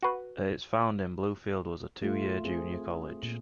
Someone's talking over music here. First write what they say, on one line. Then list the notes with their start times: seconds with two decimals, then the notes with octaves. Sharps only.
At its founding, Bluefield was a two-year junior college.
0.03 F#4 B4
2.02 A3 F4
2.44 C4 G#4
3.23 A#2